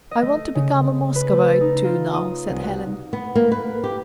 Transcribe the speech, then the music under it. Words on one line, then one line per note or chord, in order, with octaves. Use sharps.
"I want to become a Moscovite too, now," said Helene.
D#5
A3
C#3
B4
A3
A6
D#4
F4
D#6
C2
F#4
B3
A#3
B4
G4